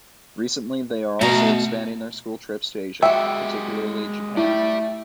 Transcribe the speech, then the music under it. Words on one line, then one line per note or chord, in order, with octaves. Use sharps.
Recently they are also expanding their school trips to Asia, particularly Japan.
B2 A3 F#4 A#5
G#3 F#4 G4 E5 G5
A3 E4 G4 D5